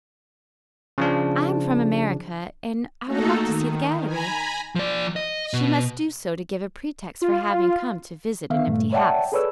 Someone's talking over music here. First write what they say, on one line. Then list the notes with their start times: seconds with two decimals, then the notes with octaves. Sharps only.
"I am from America, and I would like to see the gallery." She must do so to give a pretext for having come to visit an empty house.
0.98 C#3 F3 D4
3.05 A3 A#3 D#4 F#4 A4 A#4
3.46 D#3
4.06 G#5 A#5 B5
4.75 F3 D5
5.16 D#5
5.53 B2
7.22 F4
8.50 D#3 B3 E5 F5
8.67 G2 A#2 A3
8.93 C#5 D5 E5 F#5 G5 A5
9.32 G#4 A4 B4 C#5 D5 E6